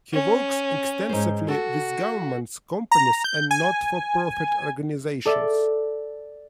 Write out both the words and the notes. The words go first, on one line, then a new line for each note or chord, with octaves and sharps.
He works extensively with governments, companies and not for profit organizations.
C#4
G#2 C5
F#4 A4
A#5
G6
G#5
A4 D5 E5